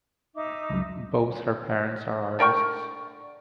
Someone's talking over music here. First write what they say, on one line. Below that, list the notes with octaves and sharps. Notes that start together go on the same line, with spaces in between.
Both her parents are artists.
D#4 E5 D6
C#2 F#2
D3 A#4 G5 C#6